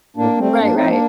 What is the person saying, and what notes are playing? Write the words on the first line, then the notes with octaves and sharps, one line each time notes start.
Right, right.
A2 A#3 D4
G3 A3 C4
G2 A#3 D4
C4 D#4
F3
A#3 D4